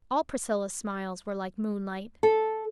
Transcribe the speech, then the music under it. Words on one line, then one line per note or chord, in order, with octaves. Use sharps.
All Priscilla's smiles were like moonlight.
A4